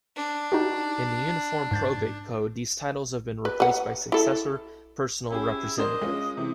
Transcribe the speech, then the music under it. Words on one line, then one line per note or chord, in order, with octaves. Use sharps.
In the Uniform Probate Code, these titles have been replaced by successor personal representative.
D4
D#4 F#4 G4
G#2 G6 A6
B4
B4 F#5
E4 A4
C#4 E4 G4 G#4
D4 A#4 C5 D#5
G#3 C#4 F4
C3 E3